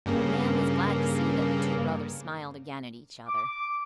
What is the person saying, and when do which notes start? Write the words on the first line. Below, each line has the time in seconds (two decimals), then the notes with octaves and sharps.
Nan was glad to see that the two brothers smiled again at each other.
0.06 G2 C#3 A#3
3.27 D6